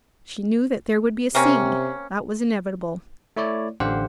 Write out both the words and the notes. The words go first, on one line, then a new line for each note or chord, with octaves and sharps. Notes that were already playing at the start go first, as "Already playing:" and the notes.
She knew that there would be a scene; that was inevitable.
C3 A#3 C4 C#4
A3 E4 C#5 D5
A1 D3 G4 C5 F5 F#5